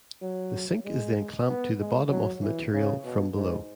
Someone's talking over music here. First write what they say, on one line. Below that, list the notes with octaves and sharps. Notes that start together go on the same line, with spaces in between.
The sink is then clamped to the bottom of the material from below.
F#3
G#3
B3
G#3
F#3
E3
C#3
B2
G#2